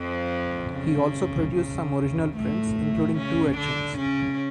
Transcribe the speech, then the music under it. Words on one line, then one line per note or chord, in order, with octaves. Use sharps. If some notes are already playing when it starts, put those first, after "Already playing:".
He also produced some original prints, including two etchings.
Already playing: F2 F3
C#3
C#3
A2 A3
C#3 C#4
D3 D4
C#3 C#4